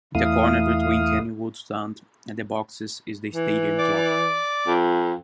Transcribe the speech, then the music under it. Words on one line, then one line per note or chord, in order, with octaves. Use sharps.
In the corner between the Kenilworth Stand and the boxes is the stadium clock.
E2 A3 E4 F5 D#6
E3
D5 D6
F2